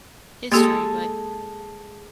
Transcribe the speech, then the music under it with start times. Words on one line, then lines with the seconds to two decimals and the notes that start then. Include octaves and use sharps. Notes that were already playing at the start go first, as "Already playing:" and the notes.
history, but
0.52 G#3 A#3 G4 A4